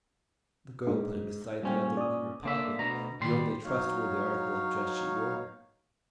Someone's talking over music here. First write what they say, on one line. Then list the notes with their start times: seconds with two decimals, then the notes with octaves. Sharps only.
The girl put it beside the other in her pocket, the only trustworthy article of dress she wore.
0.87 G#2
1.63 A#2 G3 C#4 C5 G5
1.97 D5 D#6
2.43 D3 A#3 E5
2.79 D2 B2 A#5
3.20 D#2 A2 D#3 G3 C6
3.65 F#3 D#4 C#5 F5